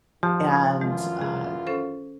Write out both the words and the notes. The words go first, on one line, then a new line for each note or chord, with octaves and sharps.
and, uh
A#1 G#2 D#3 F3 G4
F#2 D#3 E3 G#3 F4
G#4
C#4 A4 C5